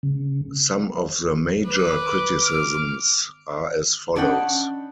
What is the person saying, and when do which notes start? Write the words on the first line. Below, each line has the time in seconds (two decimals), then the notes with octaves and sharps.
Some of the major criticisms are as follows.
0.03 C#3
1.66 B4 D6
2.43 D6 F6
4.16 C#4 D4 D#5 F#5 G5 B5